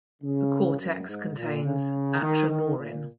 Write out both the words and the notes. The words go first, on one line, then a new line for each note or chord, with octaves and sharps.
The cortex contains atranorin.
C#3
F#2
G#2
A#2
C#3
D#3
D#3
A#2